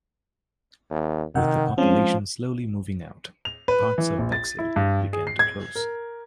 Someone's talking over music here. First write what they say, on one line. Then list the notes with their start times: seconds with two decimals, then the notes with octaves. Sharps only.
With the population slowly moving out, parts of Bexhill began to close.
0.90 D#2
1.35 C3 D#3 F#5
1.78 F3 G#3 C4 C#4
3.45 F7
3.68 B4
3.98 E3
4.18 A#1
4.32 A6
4.59 E4
4.76 G2
5.13 G#4
5.27 C7
5.39 G#6
5.76 A#4